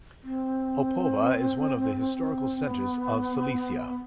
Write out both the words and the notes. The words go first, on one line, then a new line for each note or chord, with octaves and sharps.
Opava is one of the historical centres of Silesia.
C4
B3
B3